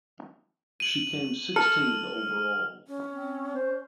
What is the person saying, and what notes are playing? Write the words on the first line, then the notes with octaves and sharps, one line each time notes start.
She came sixteenth overall.
D#7 F#7
A4 F6
C#4
C4
C5